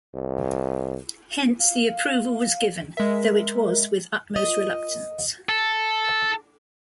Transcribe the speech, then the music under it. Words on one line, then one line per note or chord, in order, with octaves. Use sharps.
Hence the approval was given, though it was with utmost reluctance.
C2
F5
G#3 A#4 E5
D#5
A4